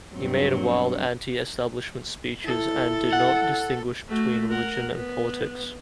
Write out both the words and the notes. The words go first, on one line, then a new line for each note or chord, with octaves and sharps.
He made wild anti-establishment speeches and did not distinguish between religion and politics.
G2 F#3 C4
E4 A4
F#5
A3 F#4
A#4 F#5
B3